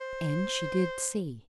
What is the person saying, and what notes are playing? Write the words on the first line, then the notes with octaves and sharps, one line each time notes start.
And she did see.
C5